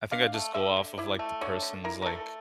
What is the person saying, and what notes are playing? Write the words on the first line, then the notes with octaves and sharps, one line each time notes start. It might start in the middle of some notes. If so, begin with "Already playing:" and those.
I think I just go off of, like, the person's, like,
D4 F5
A3
D3 E5
D3
E4 D5
A3
D3 C#5
D3
E4 A#4
A#4
A3 A4